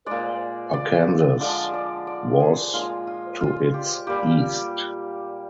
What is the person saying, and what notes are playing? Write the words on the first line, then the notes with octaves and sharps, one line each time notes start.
Arkansas was to its east.
A#2 G#3 D5
D5
D3 F3 G#3 D5
D5
D5
G#4
A#2 G#3 F4
F4
F4
G4
A#2 G3 G4